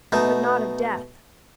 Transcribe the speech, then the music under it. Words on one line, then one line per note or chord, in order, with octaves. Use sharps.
But not of death.
B2 A3 D#4